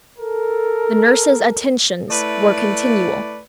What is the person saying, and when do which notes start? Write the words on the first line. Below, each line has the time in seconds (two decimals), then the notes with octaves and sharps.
The nurses' attentions were continual.
0.19 A4 A#4
2.10 A3 E4 B4 D5